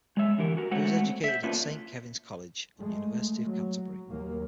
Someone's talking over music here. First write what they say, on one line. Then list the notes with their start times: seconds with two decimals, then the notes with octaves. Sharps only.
He was educated at Saint Kevin's College and University of Canterbury.
0.17 G#3 C#5 E5
0.38 D3 E3 G4 A#4
0.57 F#4 A#4
0.71 G#3 A3 C4 F#4 C#5 F#5
1.24 C5 E5
1.43 A3 A#3 C#4 D4 F4 B4
2.80 G#3 A3
3.46 F#3
4.09 D#2 F#3 A#3